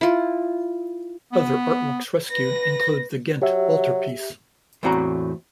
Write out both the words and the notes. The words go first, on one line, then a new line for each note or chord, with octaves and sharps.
Other artworks rescued included the Ghent Altarpiece.
E4 F4
B3
B4 A#6
F#3 G4 E5
E2 A2 C4 F#4 G#5 A#5